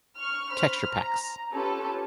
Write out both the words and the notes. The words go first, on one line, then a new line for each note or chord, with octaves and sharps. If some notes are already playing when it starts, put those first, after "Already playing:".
texture packs.
C#6 F6
C5 B5 F6
A#5
C#4 F4 G4 A4 B4